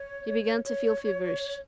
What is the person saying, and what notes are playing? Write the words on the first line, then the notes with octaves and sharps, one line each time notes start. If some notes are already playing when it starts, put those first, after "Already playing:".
He began to feel feverish.
Already playing: C#5
C#5